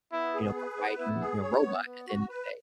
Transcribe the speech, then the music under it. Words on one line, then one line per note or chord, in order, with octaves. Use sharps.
you know, providing, you know, robot at the end of the day,
B3 E4
G#4
B4
B3
B3 E4
G#4
C#5
B3
B3
F#4
B4